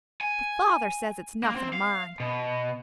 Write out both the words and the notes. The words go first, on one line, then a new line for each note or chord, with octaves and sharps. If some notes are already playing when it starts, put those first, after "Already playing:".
But father says it's nothing to mind.
G#5
A#3
C4
F5
B2